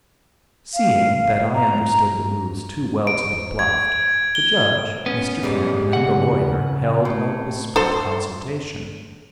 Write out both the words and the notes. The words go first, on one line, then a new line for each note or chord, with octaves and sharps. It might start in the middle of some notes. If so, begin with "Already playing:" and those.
Seeing that I understood the moves too well to be bluffed, the judge, Mr. Camp, and the lawyer held a whispered consultation.
F5
A#5
D7
G#6
G7
B3 C#4
F2 G#2 G3
C#3 F#5
A2
A4 C5